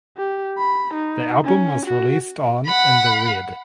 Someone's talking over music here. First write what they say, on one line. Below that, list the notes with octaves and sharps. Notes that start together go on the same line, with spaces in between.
The album was released on In the Red.
G4
B5
D#4
C#4
F#4
F#5 B5